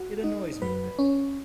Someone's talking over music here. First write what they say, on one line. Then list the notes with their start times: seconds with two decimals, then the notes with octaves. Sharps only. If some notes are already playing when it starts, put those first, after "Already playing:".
It annoys me a bit.
Already playing: F#4
0.24 D#4
0.62 F#2 F#3 B4
0.99 C#4